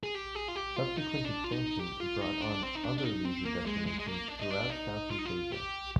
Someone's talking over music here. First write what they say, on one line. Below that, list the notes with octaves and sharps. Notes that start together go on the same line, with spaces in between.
Subsequent expansion brought on other leisure destinations throughout Southeast Asia.
G#4
G4
G#4
F4
G4
F4
D#4
D4
F4
D#4
G4
F4
D#4
D4
C4
D#4
D4
D4
D#4
C4
A#3
G#3
G#3
G#3
A#3
D4
D#4
D4
D#4
F4
D#4
F4
G4